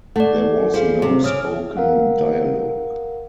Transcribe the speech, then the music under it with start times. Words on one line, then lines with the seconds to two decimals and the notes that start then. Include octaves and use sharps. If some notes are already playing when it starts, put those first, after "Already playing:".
There was no spoken dialog.
0.16 A3 D5 F#5
0.74 F4 G#4 C5 F5
1.02 C3
1.24 C#3 D#6 F6 D7
1.77 A#4 F5 F#5